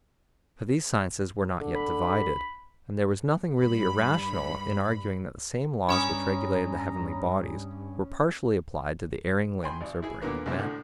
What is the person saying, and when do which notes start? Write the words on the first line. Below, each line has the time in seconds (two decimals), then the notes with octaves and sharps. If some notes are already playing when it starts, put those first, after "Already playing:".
For the sciences were not yet divided, and there was nothing really irrational in arguing that the same laws which regulated the heavenly bodies were partially applied to the erring limbs or brain of man.
1.60 D3
1.75 B5
3.60 G2 B5
5.89 G2 C#4 G#5 A#5 B5 D#6
9.63 G5 G#5 B5 C6
9.81 G#1 D5
10.02 E4 G#4
10.21 A#2 D3 A#3 B3
10.46 C2 G#2 C#3 G3 A#3 E5
10.58 D2 A2 D3